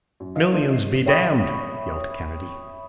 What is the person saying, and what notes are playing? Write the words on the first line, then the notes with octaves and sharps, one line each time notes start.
"Millions, be damned!" yelled Kennedy.
F#2
E4 B4 D#5 F5
F3 A3 D4 F4 A4 D5
D#5 E5 C7
C#5 E5 G5 B5 C#6 D#6